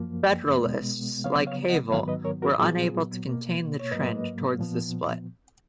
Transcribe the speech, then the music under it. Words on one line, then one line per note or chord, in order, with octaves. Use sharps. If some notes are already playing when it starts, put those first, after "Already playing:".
Federalists, like Havel, were unable to contain the trend toward the split.
Already playing: F#2 F3 A#3
B2 G#3 B3
C#3 F#3 B3 C#5 F5
C#5 F5
D#5 F#5
G#2 D#3 F#3 B3 C#5 F5
B4 D#5
A#4 C#5
F#4 A#4
A#2 F#3 B3 F4 G#4
B2 A#3
C#5
G#2 F#3 A#3 B4 D#5
A#2 F3 B3